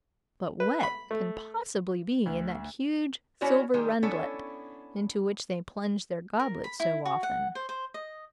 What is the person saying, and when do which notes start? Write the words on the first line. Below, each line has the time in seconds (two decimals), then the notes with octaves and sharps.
But what can possibly be in that huge silver rundlet into which they plunge their goblets so often?
0.60 B4
0.83 B5
1.11 A3
2.26 D2
3.41 C#4 E4 F#4 C#5 D5
3.74 D#3 G3 G#3
4.03 B3 C#4 D4 E4 A4 C#5
6.39 A#4
6.64 B5
6.80 E4
7.06 F#4
7.23 F#5
7.55 C5
7.69 C5
7.94 D#5